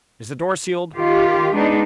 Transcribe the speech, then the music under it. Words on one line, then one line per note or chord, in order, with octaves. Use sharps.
Is the door sealed?
D#3 F4 G4
G#3 B3 D4 D#4